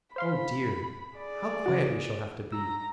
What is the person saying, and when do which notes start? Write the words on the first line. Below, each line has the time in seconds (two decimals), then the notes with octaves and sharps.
Oh dear, how quiet we shall have to be!
0.16 C5 F5 B5 C6
1.18 G#4 D5
1.66 C#3 F#4
2.52 A#5 E6